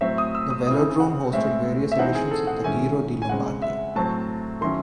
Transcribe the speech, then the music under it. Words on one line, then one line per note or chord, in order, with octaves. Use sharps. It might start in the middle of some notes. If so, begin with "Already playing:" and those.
The velodrome hosted various editions of the Giro di Lombardia.
A2 F#3 C4 E5
D#6
E6
D#6
C#3 E3 C4 E4 D#6
F#5
A2 G#3 C4 E4 E5
E5
E3 C4 D#4 F#5
G#4
A4
F#5
D#3 G#3 C#4 E4 G#5
G#5
C#3 G#3 C4 F#5
E5
A2 F#3 C4 A5
D#3 F#3 C#4 E4 C6